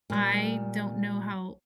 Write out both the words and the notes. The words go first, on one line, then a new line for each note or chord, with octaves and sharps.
I don't know how
A#2 G3